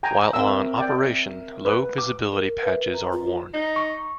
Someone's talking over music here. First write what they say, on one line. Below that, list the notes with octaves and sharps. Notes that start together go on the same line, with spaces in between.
While on operation, low-visibility patches are worn.
G5 G#5 A#5
C4 A#4 E5 E6
D5 G5
B4
D6
A#4
B4 E5
A#5
F4
D#4
C#6